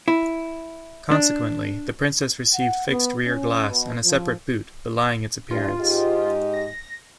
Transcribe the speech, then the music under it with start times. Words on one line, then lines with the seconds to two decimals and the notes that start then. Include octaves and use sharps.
Consequently, the Princess received fixed rear glass and a separate boot, belying its appearance.
0.08 E4
1.11 D4
2.54 F#5
2.88 B3
3.26 C#4
3.68 B2
4.04 F3
5.51 G2 E3 F4
5.81 G#2 G4 D#5
6.54 A#6